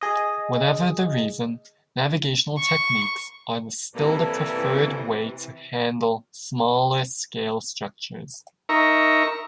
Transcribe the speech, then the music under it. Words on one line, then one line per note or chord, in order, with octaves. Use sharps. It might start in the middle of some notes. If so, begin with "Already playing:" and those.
Whatever the reason, navigational techniques are still the preferred way to handle smaller-scale structures.
G#4 D#5
C#6
G2 C3 E3 A#3 E4 A4
D#4 A#4 E5 A#5 C#6